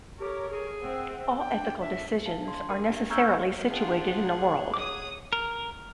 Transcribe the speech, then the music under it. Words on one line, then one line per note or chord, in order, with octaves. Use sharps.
All ethical decisions are necessarily situated in a world.
G4 A4 A#4 C#5
G#4
C4 E5 F#5
D4 G5
E5
F5 A5
D4 C6
A#4
D4 G4
A#5 C#6 E6 F6 G6 G#6
D4 F4 G4 G#4 F#5
C#5 D6 D#6
A#4